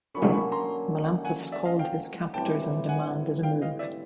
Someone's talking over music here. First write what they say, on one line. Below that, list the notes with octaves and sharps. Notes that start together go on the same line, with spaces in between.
Melampus called his captors and demanded a move.
D3 F#3 A#3 C#4 B5 C#6
B5 C#6
A#5 C6
F#5 G#5
D5 E5
D#5 F5
F5 G5
A2 E3 G3 C4 G5 A5
F#5 G#5
F5 G5
D#5 F5
D5 E5